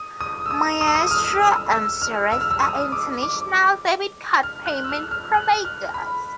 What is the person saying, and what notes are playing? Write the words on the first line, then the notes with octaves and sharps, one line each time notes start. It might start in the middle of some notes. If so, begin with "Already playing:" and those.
Maestro and Cirrus are international debit card payment providers.
Already playing: D#6
D#6
E6
D#6
D#6
E6
D#6
F6
E6
E6
F6
E6
F6
E6
D#6
D6
D6
F6
F#6
E6
F6
F6
F#6
F6
B5